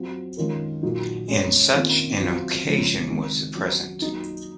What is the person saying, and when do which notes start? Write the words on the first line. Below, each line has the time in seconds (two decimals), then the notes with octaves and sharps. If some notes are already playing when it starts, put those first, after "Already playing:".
And such an occasion was the present.
Already playing: F#3 C4 F4
0.37 D#3 G#3 C#4 F4 A#4
0.83 A#2 F#3 A#3 D#4 F#4
1.28 G#3 C#4 G#4 C#5
1.73 C3 D#3 A#3 C#4 F4
2.19 F#3 C4 F4
2.65 C#3 F3 G#3 C#4
3.10 C3 D#3 G#3
3.56 F#3 C#4 F#4
4.02 F#3 A#3 D#4